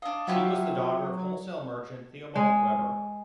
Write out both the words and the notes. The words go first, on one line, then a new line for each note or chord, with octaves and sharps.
She was the daughter of wholesale merchant Theobald Weber.
D4 D#5 F5
F#3 F4 G4 E5 F#5 G#6
G#3